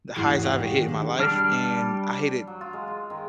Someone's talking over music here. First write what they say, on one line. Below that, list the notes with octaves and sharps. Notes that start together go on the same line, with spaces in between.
the highest I ever hit in my life, and I hit it
A1 E2 G#2 F#6 C7
C#5 D#5 F5 F#5
G#3 D4 G4
D#3
D4
G3 D4 F6
F#3
F4
G#3
F4
D#3